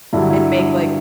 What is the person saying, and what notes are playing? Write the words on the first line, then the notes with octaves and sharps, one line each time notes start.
and make, like,
G2 D3 F#3 E4
E4